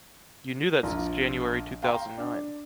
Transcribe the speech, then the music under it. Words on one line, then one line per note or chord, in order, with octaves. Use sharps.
You knew that since January two thousand nine.
A#1 F4 A#5
F5 G5 A#5 C6
D4